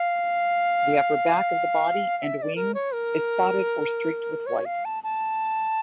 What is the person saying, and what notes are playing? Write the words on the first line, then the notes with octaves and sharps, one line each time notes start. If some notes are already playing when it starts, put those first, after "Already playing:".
The upper back of the body and wings is spotted or streaked with white.
Already playing: F5
F5
E5
E5
D5
A#4
C#5
A#4
C#5
F5
A5
A5